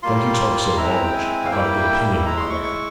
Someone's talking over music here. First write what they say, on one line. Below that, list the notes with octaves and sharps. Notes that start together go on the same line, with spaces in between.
'Don't you talk so large, about your pinioning, my man.
G3 A#3 F4 C6
G#3 C4 E4 A#5
G5
G#5
F5
G3 A#3 E4 G5
G#3 E4 A#5
C6
C#6
C#6